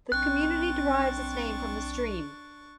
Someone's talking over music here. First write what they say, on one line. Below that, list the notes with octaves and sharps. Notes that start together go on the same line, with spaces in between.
The community derives its name from the stream.
B1 C4 D4 C#6 F#6 A6